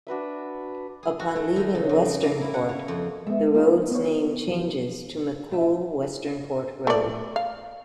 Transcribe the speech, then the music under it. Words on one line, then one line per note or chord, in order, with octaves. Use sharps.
Upon leaving Westernport, the road's name changes to McCoole-Westernport Road.
D4 F#4 B4 E5
G#4
F#4
A3
D#3
C#3
F2
F#3
A#3
E4
F#5
C#5
F2
G#3 B3 E5
C#3 A#3 C#4 F4 G#4
B3 C#5
E3 F#3
B2 A3 E5
A3 D5
F5